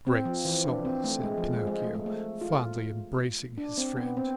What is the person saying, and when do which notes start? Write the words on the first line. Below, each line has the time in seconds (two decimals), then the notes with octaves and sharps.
"Great soul!" said Pinocchio, fondly embracing his friend.
0.07 C4
0.25 F3
0.45 E3
0.65 D4
0.85 C4
1.04 A3
1.23 G#3
1.38 F3
1.53 G#3
1.67 G#3
1.82 A3
1.95 G#3
2.06 A3
2.41 F4
3.58 D4
3.78 C4
3.97 B3
4.17 C4